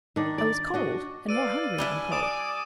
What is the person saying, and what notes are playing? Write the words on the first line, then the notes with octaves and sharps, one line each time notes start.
I was cold and more hungry than cold.
D#3 D4
D5
D4 F#4 D#5
B4 D5 F5 E6 D#7
G3 D4 E4 G#5
D5 D#6 E7